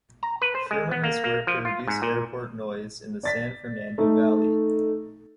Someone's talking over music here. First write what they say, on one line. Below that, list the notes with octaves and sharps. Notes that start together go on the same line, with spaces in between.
Sherman has worked to reduce airport noise in the San Fernando Valley.
A#5
B4
C5
G#3
B3
A#3
A#3
F3
F4
G#2
A#2
D5 A6 B6
A3 D#4